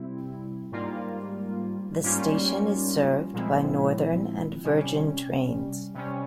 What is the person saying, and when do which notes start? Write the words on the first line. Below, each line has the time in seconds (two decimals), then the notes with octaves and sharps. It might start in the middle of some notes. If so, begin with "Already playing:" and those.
The station is served by Northern and Virgin Trains.
Already playing: C3 G3 C4 E4
0.72 G#2 G3 A#3 F4
2.03 G#2 G3 A#3 C#4 F4
3.33 A#2 F3 G#3 C4 E4
4.64 C3 G3 C#4
5.94 C3 G3 C#4